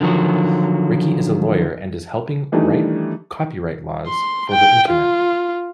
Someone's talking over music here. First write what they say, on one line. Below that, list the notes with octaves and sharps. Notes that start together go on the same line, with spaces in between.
Ricky is a lawyer and is helping write copyright laws for the internet.
D3 D#3 F3 F#3
D#3 E3 G3 A3 D4 D#4
C6
G5
F4